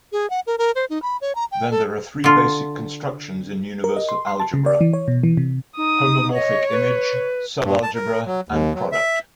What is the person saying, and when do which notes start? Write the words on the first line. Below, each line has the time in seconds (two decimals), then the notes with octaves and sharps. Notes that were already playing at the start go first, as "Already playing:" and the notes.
Then there are three basic constructions in universal algebra: homomorphic image, subalgebra, and product.
0.12 G#4
0.30 F#5
0.47 A#4
0.58 A#4
0.75 C5
0.90 D#4
1.02 B5
1.21 C#5
1.35 A#5
1.52 G5
1.71 A4
2.24 D3 F4
3.84 A#4
3.97 D#5
4.09 C6
4.27 C6
4.40 A5
4.54 C#3
4.66 D5
4.81 E3
4.93 C#5
5.08 B2
5.23 E3
5.37 C3
5.77 D#4 D#6
6.34 C#5 D#5
6.71 B4
7.64 G2
7.83 A5
7.95 A#4
8.26 F#3
8.49 D#2
8.75 F#3
8.92 E5